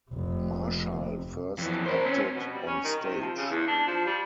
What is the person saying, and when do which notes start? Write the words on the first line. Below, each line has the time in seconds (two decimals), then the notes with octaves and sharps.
Marshall first acted on stage.
0.11 F1 C3
1.58 F2 E3
1.86 A#4 C5
2.06 C4 C#4
2.36 B2
2.53 G3
2.67 C#4
2.84 D#3
3.02 C3
3.22 F3
3.36 C#3
3.50 E2
3.67 D4
3.87 F3
4.06 G3